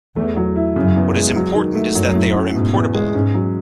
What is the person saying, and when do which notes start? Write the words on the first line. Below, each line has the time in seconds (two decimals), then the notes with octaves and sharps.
What is important is that they are importable.
0.16 E2 A3
0.37 F#3
0.56 E4
0.76 F#2 C#3
0.96 E2
1.15 G#3
1.36 F#3
1.55 D#3
1.75 A3
1.95 F#2 F#3
2.15 A2
2.35 C#4
2.55 G#2 B2
2.74 E2
2.94 G#3
3.14 G#2 C#4
3.34 F#3